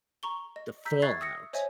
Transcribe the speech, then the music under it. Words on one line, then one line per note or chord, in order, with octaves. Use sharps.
the fallout.
A#5 C#6 G7
D#5
A#5 E6 G6 B6
E5 C#6 F#6 G#6 A6 C7
D#6 E6 A#6 C#7
C5 C#5 D#5 E5 G#5